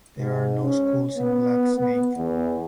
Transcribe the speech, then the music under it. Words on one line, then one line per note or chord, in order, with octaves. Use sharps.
There are no schools in Black Snake.
G#2
C#4
B3
B3
E2